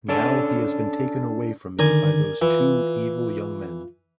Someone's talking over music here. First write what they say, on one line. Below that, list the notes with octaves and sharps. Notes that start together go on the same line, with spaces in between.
Now he has been taken away from me by those two evil young men.
C#4 D4 A4
D3 D#3 A#4 D5 G#5
E3 F4